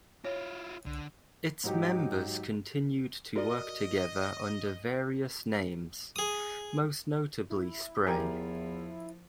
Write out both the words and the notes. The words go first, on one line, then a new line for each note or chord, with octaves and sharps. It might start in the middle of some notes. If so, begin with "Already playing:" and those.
Its members continued to work together under various names, most notably Spray.
E4 F4 C#5
C2 D3
G#2 F#3 D#4 G4
F#4 G4 A#4 D5 D#5
G#4 D#6
E4
E2 F3 G4 A#4 G#5